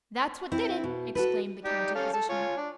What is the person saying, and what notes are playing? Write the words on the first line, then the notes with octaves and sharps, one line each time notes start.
"That's what did it!" exclaimed the county physician.
C4 E4
B2
F#4 A4 B4
D#4 G4 D5
C#4 A4 F5
A4 A5
F4 C#5 G#5
D4